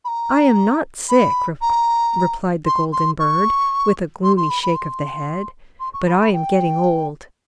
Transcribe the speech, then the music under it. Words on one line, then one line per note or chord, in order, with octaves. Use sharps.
'I am not sick,' replied the golden bird, with a gloomy shake of the head; 'but I am getting old.'
B5
A#5
B5
A#5
C6
C6
C#6
C6
C6
B5
B5
C6
C6
C#6
B5
B5
G5